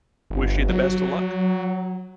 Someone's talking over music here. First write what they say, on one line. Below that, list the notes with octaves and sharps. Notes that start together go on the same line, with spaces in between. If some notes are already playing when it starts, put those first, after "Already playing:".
wish you the best of luck.
G1
F#3